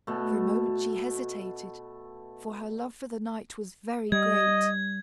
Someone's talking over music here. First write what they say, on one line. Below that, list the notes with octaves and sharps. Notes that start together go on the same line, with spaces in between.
For a moment she hesitated, for her love for the knight was very great.
B2 A3
G3 D#5 G#6